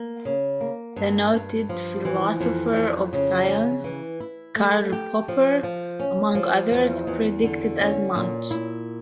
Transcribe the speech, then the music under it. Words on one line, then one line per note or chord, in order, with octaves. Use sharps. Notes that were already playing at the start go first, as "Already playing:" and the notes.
The noted philosopher of science, Karl Popper, among others, predicted as much.
Already playing: A#3
C#3
A#3
G2
G2
F3
E3
F2
F2
C#3
C#4
E3
E4
A3
G4
F3
F3
C#4
F3
E2
E2
D3
C#4
A#2
E4